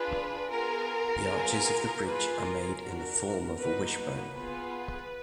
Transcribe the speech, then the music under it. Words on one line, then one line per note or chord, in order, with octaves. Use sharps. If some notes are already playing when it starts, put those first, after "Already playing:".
The arches of the bridge are made in the form of a wishbone.
Already playing: D4 F4 G#4 B4
B3 F4 G#4 A#4
B3 F4 G#4
A#3 F4 G#4 B4
A#4
D4 F#4
A#3 D#4 F#4 B4
B4
B3 F4 G#4